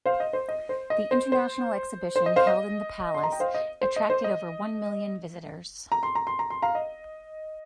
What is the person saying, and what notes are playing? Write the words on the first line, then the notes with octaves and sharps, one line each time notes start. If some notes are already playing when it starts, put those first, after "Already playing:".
The International Exhibition held in the Palace attracted over one million visitors.
C5 F5
D#5
C5
D#5
C5
D#5
C5
C5
C5
D#5
C5 F5
D#5
C6
A#5
G5
C5 F5
D#5
C5
D#5
C5
D#5
A#5
C6
A#5
C6
A#5
C6
F5 A#5
D#5